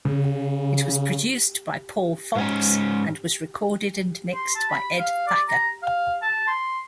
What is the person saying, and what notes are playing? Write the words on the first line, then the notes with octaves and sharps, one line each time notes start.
It was produced by Paul Fox, and was recorded and mixed by Ed Thacker.
C#3
G#2 C#4
C6
A5
B5
F5
D5
A#5
F5
A5
C6